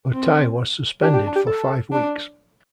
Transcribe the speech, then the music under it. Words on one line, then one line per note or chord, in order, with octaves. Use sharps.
Utai was suspended for five weeks.
C4
D4 G4
G4
G4
A4
D4